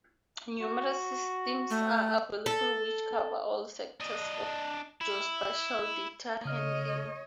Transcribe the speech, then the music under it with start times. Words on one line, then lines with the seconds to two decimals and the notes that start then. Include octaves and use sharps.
Numerous systems are available which cover all sectors of geospatial data handling.
0.61 F#4
1.70 A3
2.46 A4
4.00 D4 D#5
5.01 E4
6.45 C#3 C#5 D#5 F6